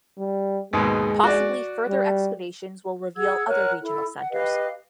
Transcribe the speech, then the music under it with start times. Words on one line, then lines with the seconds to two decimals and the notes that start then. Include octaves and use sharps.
Possibly further excavations will reveal other regional centres.
0.18 G3
0.73 D#2 G#2 B2 G#3
1.23 F#4 D5
1.88 G3
3.16 G#4 F#5 E6 G#6
3.48 A#4 C#5 F#5 F#6
3.82 E4 A4
4.18 F#5
4.32 G4 B4 D#5 F5